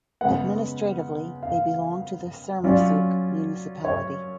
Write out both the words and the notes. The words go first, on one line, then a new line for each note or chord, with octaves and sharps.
Administratively they belong to the Sermersooq municipality.
C#3 G#3 B3 F#5
F5
F#3 C#4 F4 D5
C#5